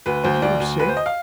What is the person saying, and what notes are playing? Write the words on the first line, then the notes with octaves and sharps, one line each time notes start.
But you are--safe.
D2 B4
D2 C5
D2 D5
D2
D2 B4
C5
D#5
F5